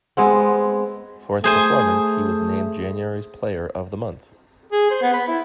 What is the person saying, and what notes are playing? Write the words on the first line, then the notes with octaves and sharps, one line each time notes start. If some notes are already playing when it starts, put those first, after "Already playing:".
For his performance, he was named January's Player of the Month.
G#3 B3 C4
A3 G#4 C5 G#5
G#4
C5
B3
B5
E4